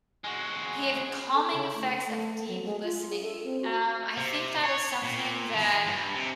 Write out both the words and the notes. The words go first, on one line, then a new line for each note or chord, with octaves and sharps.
The ef calming effects of deep listening. Um, I think that is something that,
G#3 F#4
A4
C#3
A3
A3
F#3
G#3
F4
G#4
A4
C4
F#4
C3
C#5
A#2
E3
G2
C3